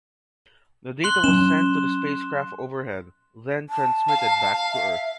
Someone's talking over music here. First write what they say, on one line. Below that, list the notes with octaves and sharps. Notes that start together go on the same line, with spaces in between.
The data was sent to the spacecraft overhead, then transmitted back to Earth.
C6 F#6 G7
F#3 C#4 E7
A5
F5
E5